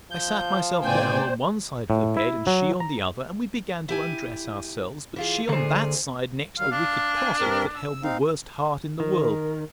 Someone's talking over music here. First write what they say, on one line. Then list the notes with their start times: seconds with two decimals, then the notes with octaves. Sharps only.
I sat myself down on one side of the bed, and she on the other, and we began to undress ourselves; but she on that side next the wicked closet, that held the worst heart in the world.
0.11 F3 G6
0.84 A2 C#3 B3 C5 D5 G5 G#5
1.90 A2
2.17 E4
2.47 F#3
2.80 A#5
3.89 E4 G4 G#5
5.16 E3 F4 G#4
5.49 D3 G#4 C5
6.59 D#3 F#3 G3 F5
6.72 D4 F5
7.16 F5 G#5
7.40 G2 C4 A#4
7.75 E6
8.03 C4 D#4 F5
9.00 D#3 A#4